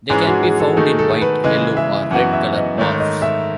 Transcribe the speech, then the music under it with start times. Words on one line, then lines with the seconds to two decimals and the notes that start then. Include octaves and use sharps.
They can be found in white, yellow, or red colour morphs.
0.09 G#2 E3 G#3 C#4 G#4
0.27 F#4
0.43 G#4
0.60 A4
0.77 D#3 A3 D#4 F#4 A4
0.99 A4
1.10 A4
1.22 B4
1.44 C#3 E3 G#3 D#5
1.77 E5
2.11 F#2 E3 B3 F#4 F#5
2.33 E5
2.56 D#5
2.77 G#2 D#3 A3 C#5
3.00 D#5
3.22 E5